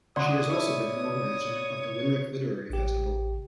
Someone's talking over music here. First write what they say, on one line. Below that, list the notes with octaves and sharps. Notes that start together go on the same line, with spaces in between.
She has also been an organiser of the Limerick Literary Festival.
D2 D5 F#5 C6 D#6
E4 A4 C#5
A1 G4